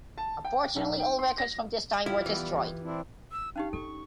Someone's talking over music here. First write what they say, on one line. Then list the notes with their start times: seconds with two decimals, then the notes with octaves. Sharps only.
Unfortunately all records from this time were destroyed.
0.18 A5
0.45 G5
0.76 B1
1.00 G5
1.19 C6
1.38 A#6
2.06 F3 E4 F4 G4
2.26 E3 G3 B3
2.83 C4 D4 E4
3.32 E6
3.56 C#4 D#4 G4 F5
3.73 D4 A4 C#6